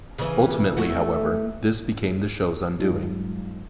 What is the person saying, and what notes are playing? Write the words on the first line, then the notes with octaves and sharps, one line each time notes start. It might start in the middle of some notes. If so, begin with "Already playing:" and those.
Ultimately, however, this became the show's undoing.
C#3 E3
A3 E4 F#4
G2 F#3 G#3 D#4 F4